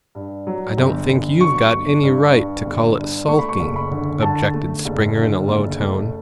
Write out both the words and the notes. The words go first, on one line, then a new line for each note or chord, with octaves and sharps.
"I don't think you've got any right to call it sulking," objected Springer in a low tone.
G2
F#3
G1
G1
F#3 C#6
G1
G2
G2
G1
G2
A3 C#6
B5
C#6
F#1
B5
D3
D3 A5
A3
F#1
D3
F#1
A3